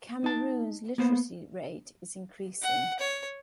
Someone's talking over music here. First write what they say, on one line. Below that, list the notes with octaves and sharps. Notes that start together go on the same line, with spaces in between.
Cameroon's literacy rate is increasing.
D#4 A5
A#3 B3 C5
F#5
C#5